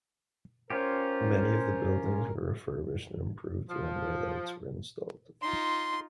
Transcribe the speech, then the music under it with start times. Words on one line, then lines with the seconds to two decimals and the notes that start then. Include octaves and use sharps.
Many of the buildings were refurbished and improved runway lights were installed.
0.70 C#4 F4 G4 A#4 C5
3.69 F3
5.42 D#4 F4 C6